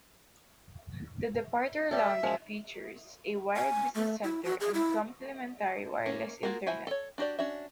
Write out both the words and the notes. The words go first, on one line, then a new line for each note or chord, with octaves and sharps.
The departure lounge features a wired business centre and complimentary wireless Internet.
G3 A4 E5
F#2 F3 G#3
G#5
A3
E4
F#4
G#4
E4
A#3 C#4
A#3 F4 F#4 G#4 A#4
E4 F#4 C5 E5 G#5
A4 C#5
D4 F#4 G4 D5
C#4 D4 F#4 E5